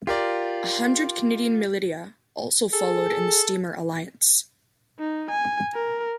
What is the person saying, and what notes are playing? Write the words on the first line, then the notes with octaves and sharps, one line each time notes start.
A hundred Canadian militia also followed in the steamer "Alliance".
F4 G4 A#4 D5
G#4 A4
D#4
G#5
A#4